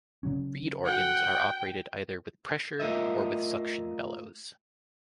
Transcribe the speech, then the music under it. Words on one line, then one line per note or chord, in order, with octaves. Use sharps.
Reed organs are operated either with pressure or with suction bellows.
C#3 F#3 C#4
F#4 A4 F#5 G5
A3 F4 A#4 D#5 E5